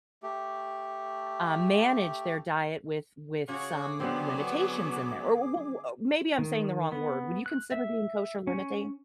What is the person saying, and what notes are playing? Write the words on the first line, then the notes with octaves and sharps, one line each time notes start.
um, manage their diet with with some limitations in there or wh what maybe I'm saying the wrong word, would you consider being kosher limiting?
A3 G4
C#3 F#4 G#4 C#5 D6
D3 F#3 G3 B3 C4
D#3
B3
F#6
E5
C#4